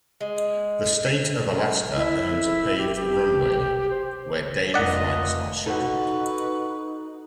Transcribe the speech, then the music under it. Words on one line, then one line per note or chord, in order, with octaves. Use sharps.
The state of Alaska owns a paved runway, where daily flights are scheduled.
G#3
E4
G4
G4
C5
F1 A#4 D5 D#5 F#5 B6
D#4 F#4 A4 B4 F#5